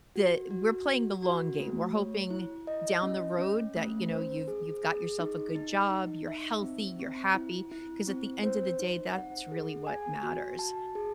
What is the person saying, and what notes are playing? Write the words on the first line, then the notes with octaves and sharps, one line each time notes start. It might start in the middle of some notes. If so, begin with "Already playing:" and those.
the we're playing the long game. We're hoping down the road that, you know, you've you've got yourself a good job, you're healthy, you're happy. 'Cause at the end of the day, that's really what matters.
F#4
F#4
F#4
F#4
A3
C#5
E4
D#5
C#4
C#4
A3
C5
G#4
G#4
D#4
D#4
D#4
E5
C4
C4
E4
E4
C4
C5
D#4
F#5
G#4
G#5
F#4
A5
G#4